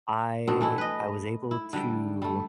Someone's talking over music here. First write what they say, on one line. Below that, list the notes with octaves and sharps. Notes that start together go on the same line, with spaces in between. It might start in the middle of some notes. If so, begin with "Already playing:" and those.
I I was able to
B2 D3 C4
E3 A3 E4
B4 D#5
E4
D3 G3 G5
G3 A3